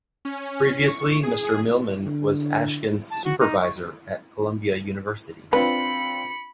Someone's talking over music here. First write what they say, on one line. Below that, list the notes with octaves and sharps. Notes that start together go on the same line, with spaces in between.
Previously, Mr. Millman was Ashkin's supervisor at Columbia University.
C#4
C#6
G#4
D3
A5
F#4
D#4
C#6
C4 D4 F4 B4 B5 C#7